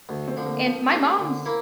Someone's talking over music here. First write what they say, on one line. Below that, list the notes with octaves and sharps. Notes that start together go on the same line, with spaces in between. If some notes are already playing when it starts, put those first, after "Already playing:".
And my mom's
D2 A3
C4
D3 F3
A#3
F3
A3 D4 G4
D3
A#3 E4